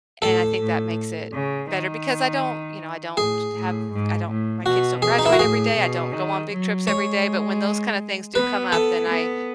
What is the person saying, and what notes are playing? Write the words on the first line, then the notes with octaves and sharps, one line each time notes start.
And I think that makes it better, because I don't you know, I don't have I don't my kids don't graduate every day, I don't go on big trips every day, but when those kinda things do come up, then I
A2 A4
A2
C#3
D#3
A2 G#4
A2
G#2
A2
B2 F#4
G#4
D#4
E4
F#4
A2 G#4
B2
D#3
F#3
G#3 C#5
B3 B4
A4
B3